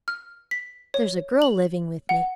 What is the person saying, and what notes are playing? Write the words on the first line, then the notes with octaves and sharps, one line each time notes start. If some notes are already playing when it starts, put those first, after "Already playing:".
'There's a girl living with me.
F6
B6
C#5
F#7
F#5